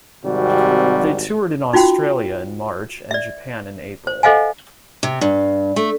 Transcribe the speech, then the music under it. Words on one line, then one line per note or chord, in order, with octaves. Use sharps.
They toured in Australia in March and Japan in April.
G#1 C3 G3 F#4
D#4 F4 F#4 G5 B5
D5 E5
C5
A4 C5 D#5 F5 F#5 G#5
C3
G2
A3